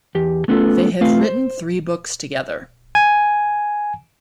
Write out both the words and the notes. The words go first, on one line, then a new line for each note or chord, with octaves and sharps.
They have written three books together.
E2 G4
A3 B3 C#4 F4 A4
A3 C4 F4 B4 F5
C5
G#5